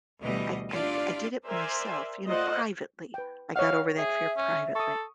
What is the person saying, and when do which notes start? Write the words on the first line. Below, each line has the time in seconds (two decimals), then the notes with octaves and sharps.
I I I did it myself, you know, privately, I got over that fear privately.
0.21 D2 B2 E3 G3 D#5
0.71 D4 E4 F4 G4 D5
1.47 A#4 C5 D5 E5 G#5
2.28 A3 F4 C5 D5 D#5 F#5
3.14 B4 G5
3.56 C#5 D#5 F5 F#5
3.97 G#4 E5
4.37 C#4
4.75 A4 C#6 D#6